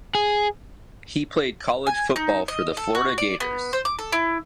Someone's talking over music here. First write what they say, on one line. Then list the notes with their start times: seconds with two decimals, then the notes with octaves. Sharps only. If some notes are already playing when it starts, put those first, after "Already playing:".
He played college football for the Florida Gators.
0.15 G#4
1.87 G#5
2.16 D#4
2.48 D#5
2.77 A4
2.95 F#4
3.18 D5
3.40 B3
3.73 C5
3.85 D6
3.99 A4
4.12 E4